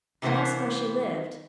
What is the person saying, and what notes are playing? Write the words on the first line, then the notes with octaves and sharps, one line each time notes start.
I asked where she lived.
C3 E3 A#3 C5 F#5